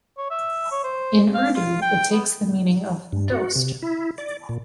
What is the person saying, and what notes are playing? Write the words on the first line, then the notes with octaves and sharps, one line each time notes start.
In "Urdu" it takes the meaning of "dost".
C#5
E5
C#5
C5
F5
F4
G5
B3
G2
F#4
C3
E4
D5
A#2